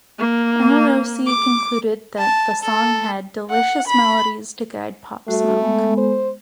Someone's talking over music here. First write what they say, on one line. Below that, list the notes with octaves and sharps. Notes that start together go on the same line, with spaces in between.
Amorosi concluded that the song had "delicious melodies to guide Pop Smoke".
A#3
D6
A5
A4
F#5
B5
G3 A3 F#4
G#3 B3 A4
C5